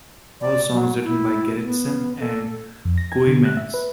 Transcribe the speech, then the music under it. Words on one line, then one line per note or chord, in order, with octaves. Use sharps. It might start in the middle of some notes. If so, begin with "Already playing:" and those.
All songs written by Gerritsen and Kooymans.
D5
F#3
E4
B3
A4
F2
A#6
G#6
D3
F#6
E5
B4